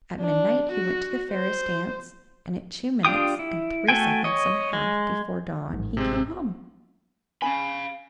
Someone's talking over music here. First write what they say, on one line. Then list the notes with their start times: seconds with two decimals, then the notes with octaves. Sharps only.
At midnight he went to the fairies' dance; and at two minutes and three seconds and a half before dawn he came home.
0.21 D4
0.72 F#4
1.32 C5
3.05 D4 F4 G4 G5 D#6
3.39 E4
3.88 A3 F#4 A4 G5 G#5
4.24 C#5 D#5
4.73 G#3
5.73 A1 G#2
5.97 C3 G#3 C4
7.42 C#4 D#4 F5 G#5 B5